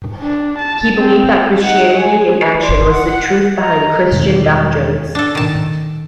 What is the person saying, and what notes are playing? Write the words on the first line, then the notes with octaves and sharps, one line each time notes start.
He believed that Christianity in action was the truth behind Christian doctrines.
D4
A5
C4
D#4 F#5
G#4 G#5
D5 C6
F#5
D#5 A#5
E2 B2 D#3 G#3
D4 A4
D#3 A5